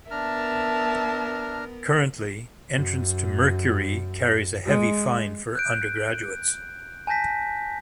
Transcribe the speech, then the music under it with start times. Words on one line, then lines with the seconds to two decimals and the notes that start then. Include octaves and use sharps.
Currently, entrance to Mercury carries a heavy fine for undergraduates.
0.11 B3 D4 A#4 E5 A5 A#5 F6
2.74 F#2
4.65 G#3
5.55 F#6 G6 D7
7.07 G#5 A5 G6 A#6 B6